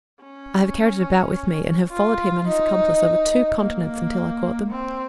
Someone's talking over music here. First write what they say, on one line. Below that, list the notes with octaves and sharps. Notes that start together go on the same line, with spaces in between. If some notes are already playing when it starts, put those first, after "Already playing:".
I have carried it about with me, and have followed him and his accomplice over two continents until I caught them.
C#4
F4
D#4
A#3
C4